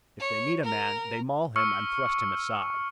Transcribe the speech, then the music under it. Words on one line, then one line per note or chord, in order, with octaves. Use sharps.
If they meet a man, they maul him and thrust him aside.
C#5
A#4
C#6 E6 F6 C#7